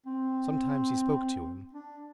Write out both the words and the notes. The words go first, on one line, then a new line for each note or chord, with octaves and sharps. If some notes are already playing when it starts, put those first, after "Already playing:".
Sometimes he spoke to him.
C4
D4